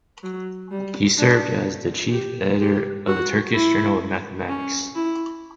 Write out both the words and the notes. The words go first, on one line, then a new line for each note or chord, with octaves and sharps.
He served as the Chief Editor of the Turkish Journal of Mathematics.
F#3
G3
D4
G4
G4
F#4
E4
C#4
E4